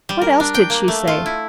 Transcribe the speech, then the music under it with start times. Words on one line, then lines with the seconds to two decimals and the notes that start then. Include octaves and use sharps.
"What else did she say?"
0.09 G3
0.22 A#4
0.40 D4
0.55 G5
0.70 A#3
0.88 A3
1.07 F4
1.26 E4